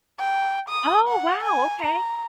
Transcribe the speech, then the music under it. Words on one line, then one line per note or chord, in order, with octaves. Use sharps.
Oh, wow. Okay.
G5
D#6
F#5
G#5
A#5